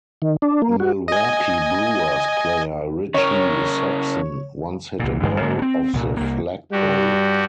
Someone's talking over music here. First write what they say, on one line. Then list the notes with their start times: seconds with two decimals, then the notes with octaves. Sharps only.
Milwaukee Brewers player Richie Sexson once hit a ball off the flagpole.
0.22 D#3
0.42 D4
0.62 A#3
0.80 F#4
1.08 D#5 G#5
3.14 C#3 A#4 C#5
5.00 C2 A#2
5.23 A1 G2 D3 G#3
5.40 G#2 D3 A#3
5.59 B3 C4
5.93 C2 A#2
6.17 C2 A#3
6.72 G2 G3 F#4 G4